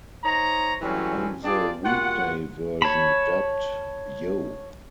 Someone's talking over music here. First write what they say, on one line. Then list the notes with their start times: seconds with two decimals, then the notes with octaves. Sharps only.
On the weekday version dubbed, Yo!
0.24 D#4 C5 C#5 A#5
0.82 E3 F#3 G3 A3 C4 C#4
1.43 D4 F4 G4 G#4 D5
1.83 G3 A#3 F4 F#4 F#5
2.82 C#5 A5 B5